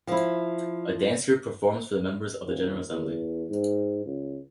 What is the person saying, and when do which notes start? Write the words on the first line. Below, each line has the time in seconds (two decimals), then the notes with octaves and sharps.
A dance group performs for members of the General Assembly.
0.07 F3 E4
2.44 D#1
2.89 E2
3.50 G#2
4.05 C#2